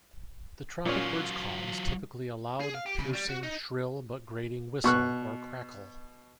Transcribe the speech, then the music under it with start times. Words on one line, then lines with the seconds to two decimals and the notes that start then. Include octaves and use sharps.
The tropicbirds' call is typically a loud, piercing, shrill, but grating whistle, or crackle.
0.86 A#2 F#3 C#4 F4
2.61 G#4
2.75 F5
2.86 G4
2.99 C#3
3.13 G3
3.29 F#4
3.43 D#4
4.84 B2 C#6 F#6